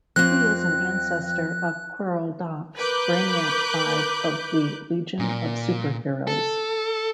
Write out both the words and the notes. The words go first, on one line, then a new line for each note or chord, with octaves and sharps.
He is an ancestor of Querl Dox, Brainiac Five of the Legion of Super-Heroes.
F2 F3 C4 F#6 A#6
A#4 B4 D6 F#6 G6
A#2
A4